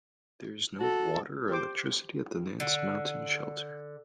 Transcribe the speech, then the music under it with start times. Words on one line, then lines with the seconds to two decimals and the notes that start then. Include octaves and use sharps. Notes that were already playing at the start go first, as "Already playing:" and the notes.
There is no water or electricity at the Nance Mountain Shelter.
0.80 F#4 A4
1.49 G4 C5 D6
2.60 D3